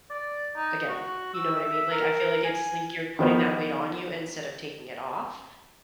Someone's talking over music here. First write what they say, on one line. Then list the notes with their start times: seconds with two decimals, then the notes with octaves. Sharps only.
again; you know what I mean? Like, I feel like it's like, you're putting that weight on you instead of taking it off,
0.10 D5
0.55 D#4
0.89 F#4
1.34 E6
1.56 E5
1.91 A#4
2.44 G#5
3.19 D#3 F3 B3 D#4